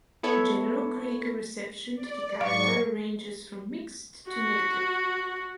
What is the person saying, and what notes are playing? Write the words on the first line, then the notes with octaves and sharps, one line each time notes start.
General critical reception to the character ranges from mixed to negative.
B3 E4 A4 C#5
D5
G#2 F#3 F5 C#6
F#4